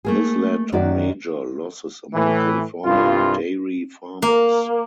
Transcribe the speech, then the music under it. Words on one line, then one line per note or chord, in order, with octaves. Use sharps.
This led to major losses among California dairy farmers.
A3 A#3 G#4
F#2 D#3 F#4 D5
A2 E3
C2 G2 F4
A#3